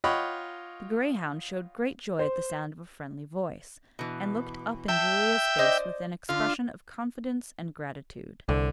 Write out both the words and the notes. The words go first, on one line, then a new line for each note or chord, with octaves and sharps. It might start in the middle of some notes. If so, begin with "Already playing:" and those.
The greyhound showed great joy at the sound of a friendly voice, and looked up in Julia's face with an expression of confidence and gratitude.
F4 C#5 D#5 F#5 G5 B5
C5
B2 E3
E5 G5 A5
C5 D5 D#5
D3 F4
C2 D3